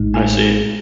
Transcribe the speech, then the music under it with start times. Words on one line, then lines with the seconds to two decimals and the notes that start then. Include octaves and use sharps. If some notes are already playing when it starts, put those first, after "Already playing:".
I see.
Already playing: A1 A2 G#3 D#4
0.14 G#5